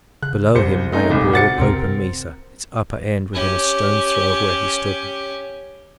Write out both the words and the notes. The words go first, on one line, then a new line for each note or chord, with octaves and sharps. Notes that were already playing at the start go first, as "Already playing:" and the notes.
Below him lay a broad, open mesa, its upper end within a stone's throw of where he stood.
C#3 F#6
C2 G4 C5 C#7
A3 C4 C#4 D#4 G4
D#1 C2 C3 G#3
F#4 C5 F#5 A6 C#7
C#2 F#2 C3 C4 A#4
C#4 G4